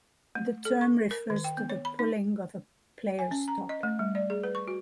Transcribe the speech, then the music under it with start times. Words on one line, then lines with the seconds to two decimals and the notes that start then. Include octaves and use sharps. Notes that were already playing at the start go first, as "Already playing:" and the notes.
The term refers to the pulling of a player's top.
0.35 A3
0.65 A4
0.81 C#6
1.11 A#4
1.30 D#3
1.44 G5
1.57 B3
1.70 C#5
1.85 B5
1.99 D#4
3.19 G#5
3.31 C#4
3.48 A#5
3.69 D#5
3.83 A3
3.99 G3
4.15 D5
4.30 G#4
4.43 B4
4.55 C#6
4.68 F#4